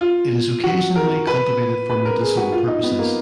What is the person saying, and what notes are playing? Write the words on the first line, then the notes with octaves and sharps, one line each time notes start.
It is occasionally cultivated for medicinal purposes.
F4
F#4
A#4
B4
B4
A#4
G#4
F#4
F4
D#4
B3
A#3